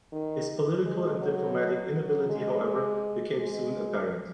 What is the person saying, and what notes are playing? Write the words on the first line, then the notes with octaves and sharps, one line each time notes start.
His political and diplomatic inability however became soon apparent.
D#3
G#3
F#3
F#3
G#3
G#3